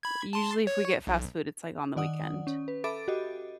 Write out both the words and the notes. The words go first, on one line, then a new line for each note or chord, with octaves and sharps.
usually, if we get fast food, it's like on the weekend.
B5 G#6
A5 C6
C#5
B1
D#3 D5 F#5 D#6
C#4
B4
A4 E5 B5 D6 A6 D7
F#4 G4 D#5